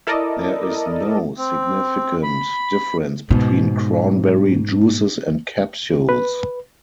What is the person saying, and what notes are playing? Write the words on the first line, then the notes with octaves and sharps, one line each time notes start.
There is no significant difference between cranberry juices and capsules.
E4 A4 A#4 D5 D#5
C4
B5
G#2 B2
B4